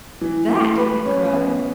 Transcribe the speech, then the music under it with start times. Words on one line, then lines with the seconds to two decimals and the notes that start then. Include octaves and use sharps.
"That!" he cried.
0.21 E3
0.48 A3
0.77 B4
1.05 C#4
1.33 B3